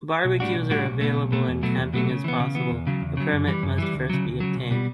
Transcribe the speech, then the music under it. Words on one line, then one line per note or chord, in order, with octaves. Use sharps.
Barbecues are available and camping is possible - a permit must first be obtained.
B1
A2 G3 D4 F#4
B1
A2 G3 D4 F#4
B1
B2 A3
B1
B2 A3
E2
B2 F#3 A3
E2
B2 F#3 A3
C#3
E3 B3
C#3
E3 B3
E2
C#3 F#3
E2
C#3 F#3
F#2
E3 G3
F#2
E3 G3
D2
C#3 F#3
D2
C#3 F#3
B1
B2 G3